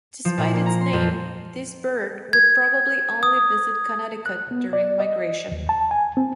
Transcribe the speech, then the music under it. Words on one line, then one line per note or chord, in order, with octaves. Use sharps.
Despite its name, this bird would probably only visit Connecticut during migration.
F3
A#2
A#3
A#5
C6
F2
G#6
D#6
F#6
B3
D5
D#5
D#2
A5
G#5
C4